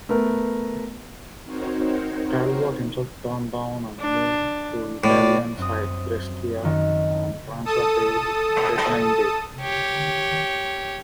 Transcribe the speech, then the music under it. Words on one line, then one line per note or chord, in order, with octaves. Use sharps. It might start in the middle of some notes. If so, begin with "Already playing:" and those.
Talbot himself turned down a move to Italian side Brescia on transfer deadline day.
A3 B3 A#4
C4 D#4 F#4 A#4 C5 C#5
D4
A2 D5
F#2 C4 D#6
F#2 D#3
A4 A5 D#6
G4 C#5